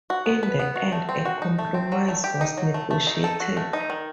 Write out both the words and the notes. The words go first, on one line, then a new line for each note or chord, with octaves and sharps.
In the end, a compromise was negotiated.
F#4
B3
B4
B3
F#4
A3
C4
F#4
D#4
A3
C4
F#3
A3
G4
D#4
F#3
A3
A3
D#4
A4
F#4
A3
D#4
D#3